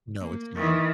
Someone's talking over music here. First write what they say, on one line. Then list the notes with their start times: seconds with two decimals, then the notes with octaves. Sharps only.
No, it's not.
0.20 A#3
0.56 D#3 E3